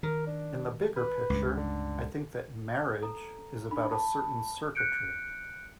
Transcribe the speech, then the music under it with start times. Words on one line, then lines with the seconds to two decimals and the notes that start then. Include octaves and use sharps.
In the bigger picture, I think that 'marriage' is about a certain circuitry.
0.03 D#3 A#4
0.27 D4
0.96 B4
1.30 C#2 G2
1.57 D3
3.03 A4 A#5
3.71 D4 D#4 B5
3.91 A5 B5
4.75 F#6 G6 C#7 D7